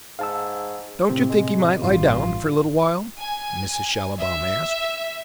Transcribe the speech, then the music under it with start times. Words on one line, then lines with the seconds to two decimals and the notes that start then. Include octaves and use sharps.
"Don't you think he might lie down for a little while?" Mrs. Schallibaum asked.
0.19 G#2 F5 A5 E6
1.10 A2 C3 C4
1.30 G#3
1.83 A1 G2 F4
3.18 G#5
4.21 E5